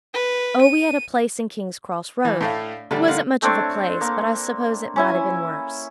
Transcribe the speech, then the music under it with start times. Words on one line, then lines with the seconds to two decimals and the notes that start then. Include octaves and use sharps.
'Oh, we had a place in King's Cross Road--it wasn't much of a place, but I suppose it might a' been worse.'
0.14 B4
0.62 D#7
2.25 E3 D4
2.41 A2 A3 F5
2.91 A1 D3 G3 D4
3.08 F4 A#4 F#5
3.42 A3 C4 D4 C#5
4.01 A#3
4.96 C#4 E4 G#5